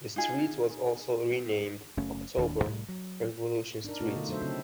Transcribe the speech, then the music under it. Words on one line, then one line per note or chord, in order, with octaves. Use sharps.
The street was also renamed "October Revolution Street".
D#4 F4 G#4
F#1 A3 C#4
D#1 D#2 E3 D4
C2 A2
F#3
D4 D#4 A#4
B2 A3 D#4 F#4
D3 F4 A#4
F#3 A3 A4 C5 E5
C#3 C4 E4 A4 E5